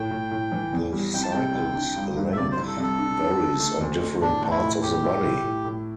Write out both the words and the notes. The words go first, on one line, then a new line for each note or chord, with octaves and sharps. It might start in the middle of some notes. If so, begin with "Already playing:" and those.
The cycle's length varies on different parts of the body.
Already playing: A2 G5
A2
A2
E3
E2
G3
C2 G5
A5
C3 G5
C2
D4
G2
G2
E5
C3 D5
C5
C2
A4
C2
A4
D4
D4
D4
A3
D2
D2
A2 D4
A3
E4
A2
A2 G4
E4
E4
A2
A2